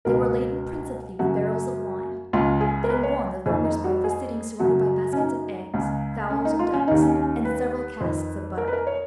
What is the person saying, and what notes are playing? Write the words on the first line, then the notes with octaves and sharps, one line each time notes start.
They were laden principally with barrels of wine; but in one the farmer's wife was sitting, surrounded by baskets of eggs, fowls, and ducks, and several casks of butter.
C#2 B2 A#4
F#2 C#3 F#4
C#2 C#3 F4
G#4
A#4
B4
C#5
F2 D#3 G#4
D#4
F#4
G#4
F#2 C#3 F#4
C#4
D#4
C#2 C#3
C#4
D#4
F4
C#4
D#2 D#3 D#4
C#4
C#4
B4
F2 D#3
A#4
B4
A#4
C#5